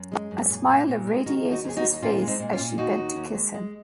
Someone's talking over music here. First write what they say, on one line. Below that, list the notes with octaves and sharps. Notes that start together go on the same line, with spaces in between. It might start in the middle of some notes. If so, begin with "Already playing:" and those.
A smile irradiated his face as she bent to kiss him.
Already playing: F#2
G#3
F#2
A#2
A#2
A#2
G#3
D#3 D#4 F#4
D#2
D#4 F#4
D#2 G#4
D#4 F#4
D#2
A#2 C#4 F4
G#3
C4 D#4
A#2
C#4 F4
A#2
D#2 D#4 F#4
D#2
D#2
G#3
G#3